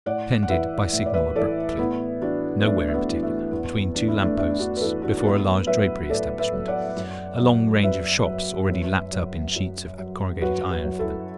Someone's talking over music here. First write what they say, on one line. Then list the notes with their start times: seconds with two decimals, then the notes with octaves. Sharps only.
It ended by signal abruptly, nowhere in particular, between two lamp-posts before a large drapery establishment--a long range of shops already lapped up in sheets of corrugated iron for the night.
0.06 A2 D5 F#5
0.43 F#5
0.49 E3 B4 E5
0.92 A2
1.06 D5
1.14 B4 E5
1.35 E3 A4 D5
1.79 A2 B3 E4
2.21 E3 D4 F#4
2.59 B3
2.65 A2 A3 D4
2.88 A3
2.94 B3
3.08 E3
3.23 A3
3.51 E2 B3
3.95 E3 D4
4.08 E4
4.22 A3 D4
4.37 E2 A3 D4
4.51 E4
4.59 D4 F#4
4.77 B4
4.81 E3 E4 A4
5.02 D4 F#4
5.17 D4
5.24 A2 B3 E4
5.67 F#3 B4 E5
6.10 A2 A4 D5
6.39 B4 E5
6.53 F#3
6.68 D5 F#5
6.97 F#2
7.40 F#3
7.83 F#2 B4 E5
8.26 F#3
8.69 F#2
9.12 F#3
9.56 F#2
9.98 F#3
10.41 F#2 F#4 B4
10.71 F#4 B4
10.85 F#3
10.99 E4 A4